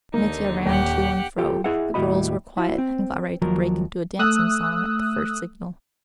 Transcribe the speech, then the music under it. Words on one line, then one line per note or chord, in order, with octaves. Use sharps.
Mitya ran to and fro, the girls were quiet, and got ready to break into a dancing song at the first signal.
D#2 D3 A#3 D#4
D#1 G4 F#5
F4 G4 A4
E4 G#4 D#5 E5 F#5
D#2 A2 G3 F#4 D#5 B5
E4 F#4
C4
D#2 F3 F#3 A#4
A3 D#6 E6 F#6